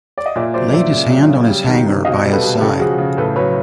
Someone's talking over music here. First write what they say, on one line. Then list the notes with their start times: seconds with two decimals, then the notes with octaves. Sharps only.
Laid his hand on his Hanger by his side.
0.18 D5
0.26 D#5
0.36 A#2 D5 E5
0.54 F#3 C5 D5
0.73 A#2 D5 E5
0.93 C#3
1.10 F#3
1.29 C#3
1.49 G3
1.67 D#3
1.86 C3
2.05 B2 D#5 F5
2.24 G3
2.33 A4 B4
2.42 B2
2.61 C#3 G4 A4
2.79 F3 F#4 G#4
2.98 C#3
3.17 A2 A4 B4
3.36 F#3 B4 C#5